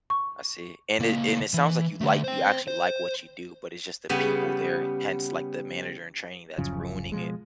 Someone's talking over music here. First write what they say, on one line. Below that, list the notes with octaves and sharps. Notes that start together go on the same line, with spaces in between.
I see. And it and it sounds like you like you actually like what you do, but it's just the people there- hence, like, the manager-in-training that's ruining it,
C#6
C#2 A#3
E3
D3 A3
C5 G5
C5
C#3 G3 B3
D1 F#2 C#3 F3
B2 F3 G#3